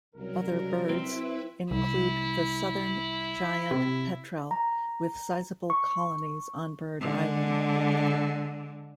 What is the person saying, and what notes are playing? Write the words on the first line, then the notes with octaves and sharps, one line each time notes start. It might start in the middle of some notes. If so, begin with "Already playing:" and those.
Other birds include the southern giant petrel, with sizeable colonies on Bird Island.
C2 C#3 F#3 A#4
C4 E4 B4 E5
C2 E4
C3
A#5
C#6
D3 G#3